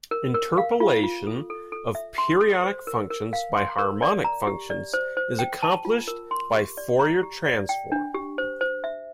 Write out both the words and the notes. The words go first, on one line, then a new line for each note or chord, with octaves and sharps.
Interpolation of periodic functions by harmonic functions is accomplished by Fourier transform.
A#4
A#4
F5
F4
F4
A4
A4
A4
E5
C6
A4
C5
A#4
A#4
F5
C6
A#4
D5
A#5
G4
D5
C5
C5
G5
A5
F4
A#4
C6
G4
D5
A#5
G4
D5
G5
D4
G4
C5
C5
E5